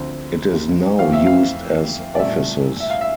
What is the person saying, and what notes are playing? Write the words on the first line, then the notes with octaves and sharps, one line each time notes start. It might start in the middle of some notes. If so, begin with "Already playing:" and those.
It is now used as offices.
Already playing: D2 D3 F3 C4
F2 E3 A3 C4 F5
E5
F5
D5
C2 A#2 A3 E5
E5
F5
E5